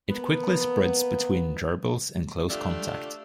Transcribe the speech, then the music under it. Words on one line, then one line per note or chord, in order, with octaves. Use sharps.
It quickly spreads between gerbils in close contact.
A#3 B3
A3 D4 F4 G4